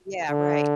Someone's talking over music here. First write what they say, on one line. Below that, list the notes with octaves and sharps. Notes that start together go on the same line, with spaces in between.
Yeah, right.
D3